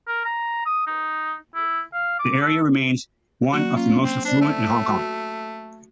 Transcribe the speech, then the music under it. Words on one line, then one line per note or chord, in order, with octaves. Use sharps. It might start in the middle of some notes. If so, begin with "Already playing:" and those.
The area remains one of the most affluent in Hong Kong.
A#4
A#5
D#6
D#4
E4
F5
D6
A4
F#3 A#3 F#4 D5
A#3 C#4 F4
C4
D4 C5 D5
A3
F#4